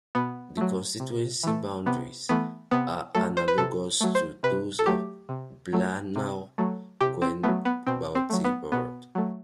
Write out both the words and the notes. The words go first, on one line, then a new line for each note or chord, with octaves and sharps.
The constituency boundaries are analogous to those of Blaenau Gwent county borough.
B2 B3
F#3 A3
C3
E3 A3
C3 B3
E3 A3 B3
C3 B3
F#3 A3 A4
C5
B4
C3 A4
F#3 A3
C5
C3 B4
A4
F#3 A3 G4
C3
F#3 A3
C3
F#3 A3
C3 G4
C4
F#3 A3 B3
B3
B2 C4
C4
F#3 A3
B3
B2 B3
F#3 A3